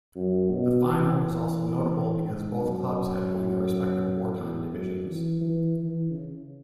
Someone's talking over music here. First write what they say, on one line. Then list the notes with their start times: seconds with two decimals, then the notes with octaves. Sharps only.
The final was also notable because both clubs had won their respective wartime divisions.
0.15 F#2
0.51 B2
0.86 E3
2.25 G#2
2.61 F#2
4.36 E2
4.71 F#2
5.06 E3
5.41 E3
5.77 E3
6.11 C#3